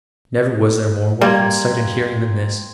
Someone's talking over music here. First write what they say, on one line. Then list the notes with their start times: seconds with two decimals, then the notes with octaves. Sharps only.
Never was there more welcome sight and hearing than this.
1.21 G3 A#3 G5 C6 G#6